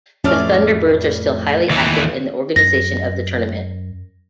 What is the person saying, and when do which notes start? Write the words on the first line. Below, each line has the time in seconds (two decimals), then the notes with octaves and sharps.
The Thunderbirds are still highly active in the organization of the tournament.
0.24 F2 A2 F3 A3 C#4 D5 F5
1.70 D#2 E3
2.56 F#2 A#6